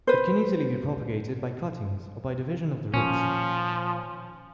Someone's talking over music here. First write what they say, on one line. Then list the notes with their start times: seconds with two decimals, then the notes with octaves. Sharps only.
It can easily be propagated by cuttings, or by division of the roots.
0.07 B4 C5
2.94 A#2 D#3 F3 C#4